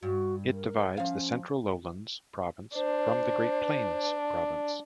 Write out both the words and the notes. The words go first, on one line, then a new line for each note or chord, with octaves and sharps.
It divides the Central Lowlands province from the Great Plains province.
G2 F#4
A#4
F3 C#4 F5
D4 C5